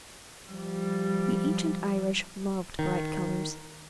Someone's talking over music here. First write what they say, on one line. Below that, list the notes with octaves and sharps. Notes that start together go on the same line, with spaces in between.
The ancient Irish loved bright colours.
F3 G3
D#3